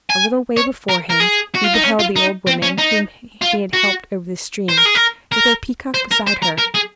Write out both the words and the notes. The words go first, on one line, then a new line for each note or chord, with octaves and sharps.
A little way before him, he beheld the old woman whom he had helped over the stream, with her peacock beside her.
G#5
C#5
A#4
A#4
G#4
F#4
F4
D#4
C#4
F4
D#4
C4
C#4
D#4
F4
F#4
C5
A#4
G#4
A#4
A#4
C5
A#4
C5
A#4
A#4
G#4